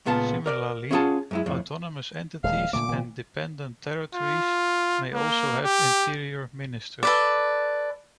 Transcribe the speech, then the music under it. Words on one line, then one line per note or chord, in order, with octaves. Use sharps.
Similarly, autonomous entities and dependent territories may also have interior ministers.
C#2 A#2 B3 F4 A5
A#4 D5
C#4 E4 F4 G#4 F#5 A5
F#2 G#3 E4
F2 A2
D#1 G#3 F5
A#2 D3 A3 D6
A#2 D#3 F3
F4
A#3
G4
A4 B4 D5